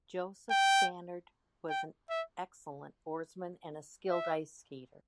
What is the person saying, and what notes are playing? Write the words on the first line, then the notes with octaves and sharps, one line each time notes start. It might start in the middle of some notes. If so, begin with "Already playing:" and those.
Joseph Stannard was an excellent oarsman and a skilled ice-skater.
G5
G5
E5
E5